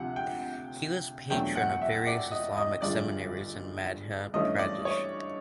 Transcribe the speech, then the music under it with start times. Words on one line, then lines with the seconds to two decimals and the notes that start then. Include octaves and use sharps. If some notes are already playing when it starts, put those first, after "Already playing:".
He was patron of various Islamic seminaries in Madhya Pradesh.
Already playing: D2 C3 F3 F#5
0.16 G5
1.30 E2 B2 F#3 A3 D4 G5
1.55 F#5
1.82 E5
2.07 D5
2.32 D#5
2.57 D#5
2.82 G1 G2 D3 F3 G#3 D5
4.34 G2 E3 A3 C#4 D#5
4.59 D5
4.85 C#5